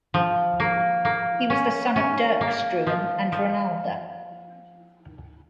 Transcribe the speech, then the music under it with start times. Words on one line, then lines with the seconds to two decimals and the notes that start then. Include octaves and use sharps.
He was the son of Dirk Struan and Ronalda.
0.14 F3
0.60 A#3
1.05 A#3
1.50 C#4
1.96 C#4
2.41 A#3
2.87 F3
3.32 F3